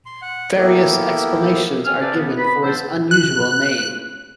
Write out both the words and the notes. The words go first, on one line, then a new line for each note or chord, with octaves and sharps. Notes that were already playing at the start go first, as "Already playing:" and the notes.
Various explanations are given for its unusual name.
C6
F#5
A#3 B3 E4 G4 A4 A#4
C2 D#3 A4 G#5 F6
A4 B4 C5 D5
B3
B4 B5
E3 F3 B3 D4 A4 C5
F#6